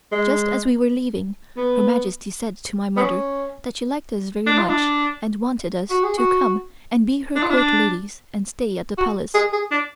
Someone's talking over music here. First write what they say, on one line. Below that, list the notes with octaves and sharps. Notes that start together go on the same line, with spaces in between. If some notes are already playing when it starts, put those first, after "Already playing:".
Just as we were leaving, Her Majesty said to my mother that she liked us very much and wanted us to come and be her Court ladies and stay at the Palace.
G#3
B3
B3
C#4
D4
F4
D4
F#4
G#4
F#4
D4
F4
D4
F#4
G#4
G#4
D4